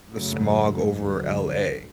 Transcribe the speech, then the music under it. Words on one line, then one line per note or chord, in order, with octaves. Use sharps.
the smog over LA.
F#1 F#2 C#3 F#3 A3
D2 D3 F#3